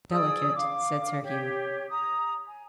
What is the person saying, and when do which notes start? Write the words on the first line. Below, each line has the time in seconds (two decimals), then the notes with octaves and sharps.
"Delicate!" said Sir Hugh.
0.10 G#4 D5 D#6 E6
0.55 F5 D6
1.22 G4 C#5
1.90 A#5 D#6
2.46 G#5